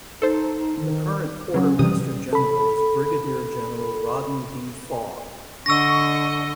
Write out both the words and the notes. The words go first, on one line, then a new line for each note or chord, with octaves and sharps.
The current Quartermaster General is Brigadier General Rodney D. Fogg.
D#4 A4 C5
D#3
C#3 F#3 C#4
C3 E3 G3 D#6
A4 B5
D3 D#5 C#6 E6 A#6